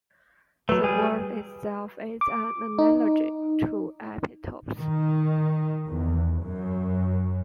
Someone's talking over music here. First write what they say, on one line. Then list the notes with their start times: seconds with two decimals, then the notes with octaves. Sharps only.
The word itself is an analogy to epitopes.
0.69 F#3 A3 B4
0.84 G3 G#4
2.21 D6
2.79 D#4
4.78 D#3
5.88 E2
6.42 F#2